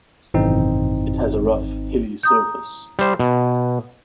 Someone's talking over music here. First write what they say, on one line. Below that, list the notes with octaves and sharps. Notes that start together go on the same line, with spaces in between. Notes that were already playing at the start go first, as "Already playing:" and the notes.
It has a rough hilly surface.
G#1 F#2 B2 E3 C4 D#4
A#5 D#6 G6
G3 C5
B2